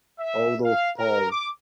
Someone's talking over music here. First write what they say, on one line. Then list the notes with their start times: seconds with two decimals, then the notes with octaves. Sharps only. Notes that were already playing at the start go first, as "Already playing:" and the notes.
Although Pol.
0.19 E5
0.64 F5
0.97 A#4
1.30 D6